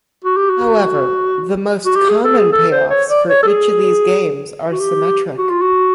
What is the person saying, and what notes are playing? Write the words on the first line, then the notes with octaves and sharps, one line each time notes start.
However, the most common payoffs for each of these games are symmetric.
F#4
G4
F#4
F#4
G4
G#4
A4
G#4
A4
C5
C#5
D5
C#5
A4
G#4
F#4
G4
F#4
F4
F#4